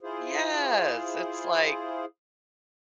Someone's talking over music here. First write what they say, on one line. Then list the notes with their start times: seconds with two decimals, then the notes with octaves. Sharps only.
Yes, it's like
0.01 E4 F4 G#4 C5